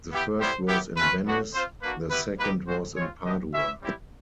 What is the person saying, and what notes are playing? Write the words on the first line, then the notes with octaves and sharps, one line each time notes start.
The first was in Venice, the second was in Padua.
B3 E4 G4
G3 B3 E4 G4 C5
B3 E4 G4
A3 C#4 F4 B4
B3 D4 F#4
C4 F4 C5
A#3 D4 F#4 B4
B3 E4 G4 B4
A#3 D#4 G4 B4
G#3 C#4 F#4 C5
G#3 C4 F4 C#5
B3 D4 G4 D#5
G#3 C#4 E4 E5
G3 C4 E4 G4